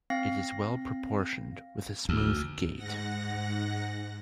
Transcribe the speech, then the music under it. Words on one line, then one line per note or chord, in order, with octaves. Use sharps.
It is well proportioned, with a smooth gait.
C4 F5 A#6
D2
G#2 F#5 A#6